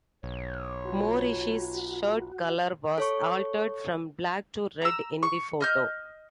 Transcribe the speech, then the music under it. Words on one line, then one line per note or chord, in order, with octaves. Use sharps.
Morrissey's shirt colour was altered from black to red in the photo.
B1 C#5
F4 F#4
A4 C#5 C#6
A#5 E6
C#6
D#5 F6 G6